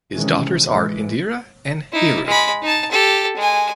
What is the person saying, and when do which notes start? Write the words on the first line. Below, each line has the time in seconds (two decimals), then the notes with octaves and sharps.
His daughters are Indira and Niru.
0.14 C3 D#3 E3 G#3 C#4
0.66 A2 E3 G#3
1.92 D#4 E4
2.26 G#3 B5
2.62 D#4 A5
2.91 G4 A4
3.37 G#3 G#5